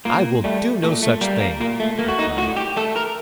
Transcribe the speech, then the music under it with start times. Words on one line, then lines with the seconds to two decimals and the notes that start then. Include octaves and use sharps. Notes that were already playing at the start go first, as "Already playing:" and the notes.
"I will do no such thing," I cried.
0.05 A#2 A#3
0.44 G3 A3
0.83 A#2 A3
1.03 A3
1.21 G3 A#3
1.41 A#3
1.60 A#2 A#3
1.80 A3
1.99 A3 A#3
2.08 F#4
2.19 D#4
2.37 A2 F#4
2.57 G4
2.77 A3 A4
2.96 A#4